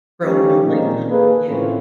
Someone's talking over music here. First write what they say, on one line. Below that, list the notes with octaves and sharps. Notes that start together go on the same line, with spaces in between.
Grown complacent, yeah.
F3 G3 A3 C#4 D#4 G4
A#2 G#3 C4 C#4 D#4
A#3 G#4 A4 B4
A2 E3 C4 C#4 F4